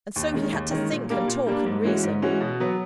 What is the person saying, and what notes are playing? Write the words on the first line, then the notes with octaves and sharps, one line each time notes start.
And so he had to think, and talk, and reason.
D#2
D#3 G#3 C#4
D#2
D#3 G#3 C#4
A#2
G3 A#3 D4
A#2
G3 A#3 D4
G#2
E3 G#3 C#4 F#4
G#2
E3 G#3 C#4 F#4
B2
F#3 B3